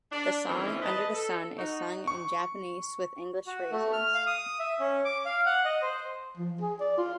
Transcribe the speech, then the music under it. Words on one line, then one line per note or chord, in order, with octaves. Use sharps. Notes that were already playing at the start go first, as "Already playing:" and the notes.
The song "Under the Sun" is sung in Japanese with English phrases.
D4
D#3 E3 A3 C4 C#4 G#4
B4 D#5 A5
A4
D#4 F#4
C#6
F#4
A3
F6
F5
D#6
E5
C#4
D6
F5
F#5
D#5
C5
F3
G#4
D5
F4